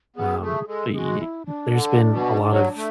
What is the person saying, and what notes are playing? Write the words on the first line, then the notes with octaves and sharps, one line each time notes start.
um, eh, there's been a lot of,
B3 G#4
A3 G#4
G#3 A4
G#3 F#4 G#4
E4
D4
D3
B2
F#3
A3